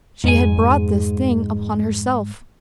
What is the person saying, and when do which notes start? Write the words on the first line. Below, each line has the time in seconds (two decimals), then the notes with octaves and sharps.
She had brought this thing upon herself.
0.24 F2 G#2 G#4 G#5